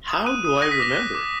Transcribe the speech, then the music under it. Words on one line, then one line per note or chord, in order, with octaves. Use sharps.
How do I remember?
D#6
F#6 D#7
D#6
F#6 A#6
B6
D6 A#6
F#6
D6